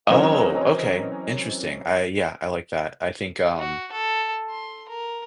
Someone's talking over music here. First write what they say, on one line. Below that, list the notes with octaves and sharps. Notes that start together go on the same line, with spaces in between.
Oh, okay. Interesting, I yeah, I like that. I think, um
E3 F#3 C4 C#4 A#4 D#5
F#4
A4
C6
A#4